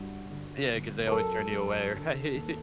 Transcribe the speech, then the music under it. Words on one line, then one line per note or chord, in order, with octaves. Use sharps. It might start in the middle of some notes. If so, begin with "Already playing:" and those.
yeah, cause they always turn you away, right?
Already playing: G2 F#4
D3
G1
F#2 A4 A#4
F#2
D3
D#2